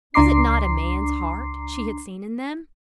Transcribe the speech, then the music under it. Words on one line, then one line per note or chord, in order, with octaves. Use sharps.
Was it not a man's heart she had seen in them?
C#2 D4 A#5 C6 D6 C7